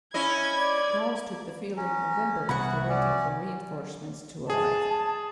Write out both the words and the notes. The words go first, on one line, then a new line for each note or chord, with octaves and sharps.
Charles took the field in November after waiting for reinforcements to arrive.
C#4 E4 D#5 B5 G#6
D5
C#4 A#5
C2 B3 E4 F#4 F#5 B5
C#4 D5
G#4 A5